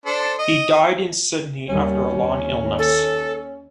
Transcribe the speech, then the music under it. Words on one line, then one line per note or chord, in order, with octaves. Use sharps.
He died in Sydney after a long illness.
D4 A4 C5
D#5
D#2 D#3 G3 C#4
D#2
A4